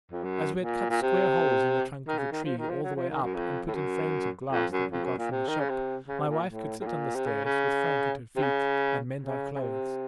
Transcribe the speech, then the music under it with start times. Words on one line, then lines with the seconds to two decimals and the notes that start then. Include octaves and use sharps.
As we had cut square holes in the trunk of the tree all the way up, and put in frames of glass that we got from the ship, my wife could sit on the stairs, with Frank at her feet, and mend our clothes.
0.12 F2
0.23 F#2
0.61 A#2
0.90 A#2
1.01 C3
2.07 D#3
2.18 C#3
2.32 D#3
2.44 F3
2.58 D#3
2.69 F3
2.83 F#3
2.96 F3
3.10 D#3
3.23 F#2
3.35 F2
3.68 A2
3.75 F#2
4.52 F2
4.72 F#2
4.92 F2
5.04 F#2
5.18 A#2
5.31 C3
5.48 D#3
5.59 C#3
5.69 C3
6.08 C#3
6.19 C3
6.28 A#2
6.48 A2
6.81 A2
6.86 A#2
7.15 C3
7.26 C#3
7.44 C#3
8.36 C3
8.42 C#3
9.21 C#3
9.56 C#3
9.59 C3